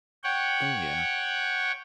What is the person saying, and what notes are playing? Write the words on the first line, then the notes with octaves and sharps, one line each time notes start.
Oh, yeah.
C#5 F#5 G5